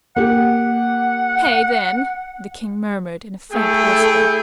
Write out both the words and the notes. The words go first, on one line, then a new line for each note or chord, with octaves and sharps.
'Hay, then,' the King murmured in a faint whisper.
A#3 G4 F#5
A3 E4 G#4 A4 G5